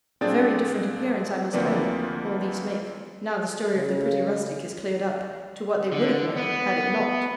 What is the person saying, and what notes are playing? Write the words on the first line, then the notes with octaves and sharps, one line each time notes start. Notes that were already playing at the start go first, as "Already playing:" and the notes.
A very different appearance, I must own, all these make, now the story of the pretty rustic is cleared up, to what they would have made, had it not.
A#2 C4 D4 G#4 D5 A6
D2 F3 A#3 C4 B4 D5
C#3
D3
B3